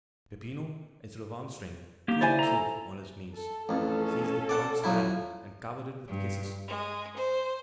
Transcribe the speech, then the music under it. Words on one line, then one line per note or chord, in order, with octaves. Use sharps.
But Peppino, instead of answering, threw himself on his knees, seized the count's hand, and covered it with kisses.
A#3 G4
E4 C5 D5 G#5
A4 A#5
A4
A1 F2 C#4 A4
D5 F#5 A5
F3 F#3 E4
G2
G#3
C5